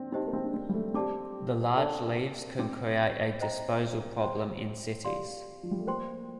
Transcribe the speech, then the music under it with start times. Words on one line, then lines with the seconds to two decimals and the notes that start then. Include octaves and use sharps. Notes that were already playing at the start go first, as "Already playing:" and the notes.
The large leaves can create a disposal problem in cities.
Already playing: C4 D4
0.12 C4 D#4 G4 C5 D#5 A5
0.27 A#3
0.33 C4
0.44 D4
0.54 C4
0.69 G3
0.74 A3
0.94 C4 G4 D5 A5 D6
1.77 D4 A4 D5 A5
2.59 C4 C5 G5 D6
3.41 C5 D#5 G5 A#5
4.23 C5 G5 C6
5.05 G4 D5 F5 C6
5.63 F3
5.71 G3
5.79 A3
5.87 A#3 C5 G5 C6